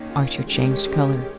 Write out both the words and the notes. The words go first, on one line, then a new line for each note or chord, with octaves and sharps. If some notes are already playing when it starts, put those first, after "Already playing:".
Archer changed colour.
Already playing: D#3 A#3 C#4
F4
D#3 G#3 C#4 G4